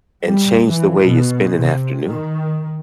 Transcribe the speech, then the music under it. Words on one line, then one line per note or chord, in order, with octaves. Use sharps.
and change the way you spend an afternoon?
G3
E3
B2
C3
D#3